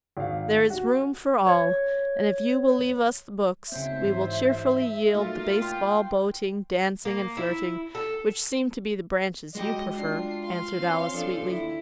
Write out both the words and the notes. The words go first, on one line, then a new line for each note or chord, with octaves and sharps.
'There is room for all; and if you will leave us the books, we will cheerfully yield the baseball, boating, dancing, and flirting, which seem to be the branches you prefer,' answered Alice sweetly.
G#1 F5
F#4
C#5 G#6
C#3 F#3 C4 D#4 C5 E5
G#2 E3
A#2 A3 D#4 F4 F#4
G5 C6
A#3
E4
A4
G#3 F#4 G4 D#5
D4 F4 C7
F5 C6
C4 C#4
F3 D4 A4
D#2 E4